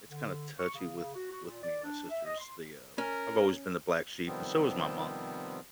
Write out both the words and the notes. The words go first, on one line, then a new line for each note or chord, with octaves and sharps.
it's kinda touchy with with me and my sisters. They, uh I've always been the black sheep and so has my mom.
D3
C#6
C#3
C#3
F#4
F#4
A#2
D5
D4
E5
D#5
C6
C#4 A#4
C3 D#3 F3 G3 B3 C4